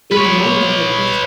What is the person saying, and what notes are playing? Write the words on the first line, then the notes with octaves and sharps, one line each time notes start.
in the moment, like, he's
B4 C#5